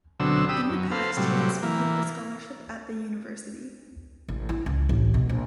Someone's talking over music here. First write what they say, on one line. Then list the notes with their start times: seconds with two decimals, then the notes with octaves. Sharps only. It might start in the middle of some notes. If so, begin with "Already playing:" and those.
In the past he has funded a scholarship at the university.
0.20 D2 B2 D3 F#3 C4 E6
0.49 G4 B5 D#6 E6
0.69 F#2
0.91 A4 B4 C5 F5
1.17 A2 C3 F#3 G3
1.62 E3 A#3
4.28 A1
4.49 E4
4.66 C#2
4.89 A1
5.14 B2
5.29 A#1